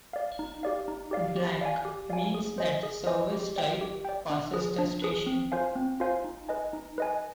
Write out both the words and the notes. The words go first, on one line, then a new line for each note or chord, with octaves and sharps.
Blank means that the service type passes the station.
D5 F5
D#4
G4 D5 F5
D#4
G4 D5 F5
G4
D5 F5 G#5
G4
D5 F5 G#5
G#4
C5 D#5 G#5
G#4
C5 D#5 G#5
G4
D5 G5
G4
D5 G5
D4
G#4 B4
D4
G#4 B4
C4
F4 C5 F5 G#5
C4
F4 C5 F5 G#5
D#4
B4 D#5 G#5
D#4
B4 D#5 G#5